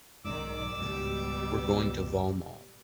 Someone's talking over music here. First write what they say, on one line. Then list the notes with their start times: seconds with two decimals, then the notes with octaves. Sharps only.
We’re going to Vallmoll.
0.25 B1 G#2 D#3 D5 D6 E6
0.78 C#2 G#2 B2 G3